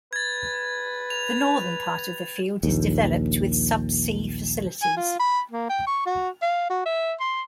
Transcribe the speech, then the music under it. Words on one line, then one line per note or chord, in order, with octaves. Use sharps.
The northern part of the field is developed with subsea facilities.
B4 G#6 A6
F7
A#1 D#2
G#5
F4
B5
A#3
G5
C#6
F#4
F5
F#4
E5
C6